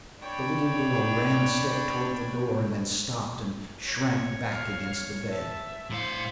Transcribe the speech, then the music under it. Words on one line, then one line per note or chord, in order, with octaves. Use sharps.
The little girl ran a step towards the door, and then stopped and shrank back against the bed.
D4 C#5 G5 B5
C#5
F5
E5 A5
A2 C5 F5 C#7